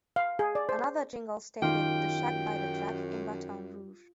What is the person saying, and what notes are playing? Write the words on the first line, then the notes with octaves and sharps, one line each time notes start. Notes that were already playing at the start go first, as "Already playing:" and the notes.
Another jingle stated "The Shack by the Track in Baton Rouge".
F5
G#4
D5
C5
F#2 D#3 F4 G4 G5